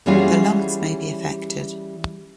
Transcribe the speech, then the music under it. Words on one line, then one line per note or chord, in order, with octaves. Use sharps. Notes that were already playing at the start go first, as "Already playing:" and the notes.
The lungs may be affected.
E3 G3 C#4 F4 F#4 G#4